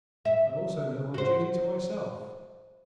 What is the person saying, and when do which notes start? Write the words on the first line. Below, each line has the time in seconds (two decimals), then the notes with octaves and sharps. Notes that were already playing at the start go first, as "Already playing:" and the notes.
I also know my duty to myself.
0.25 E5
1.14 F#4 C5